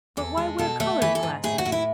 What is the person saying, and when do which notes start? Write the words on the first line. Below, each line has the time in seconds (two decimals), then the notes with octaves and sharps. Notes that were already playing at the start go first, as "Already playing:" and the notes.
But why wear colored glasses?
0.17 E2 A4
0.37 G#3
0.59 B2 A4
0.80 A3 A4
1.02 E3 B4
1.15 A4
1.23 G#2
1.44 A2 G#4
1.58 F#4
1.65 A2
1.72 E4